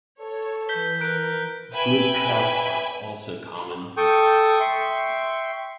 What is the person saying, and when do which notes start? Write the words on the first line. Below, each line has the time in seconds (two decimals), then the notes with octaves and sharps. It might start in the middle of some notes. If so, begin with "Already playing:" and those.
Brook trout are also common.
0.20 A4 C#5
0.69 E3 B4 G6 B6 G7
1.01 A#4 F#6 D7
1.72 B4 E5 G5 G#5 B5
3.97 A4 G5 A5 C#6 D#6 G6
4.60 E5 G5 C6 C#6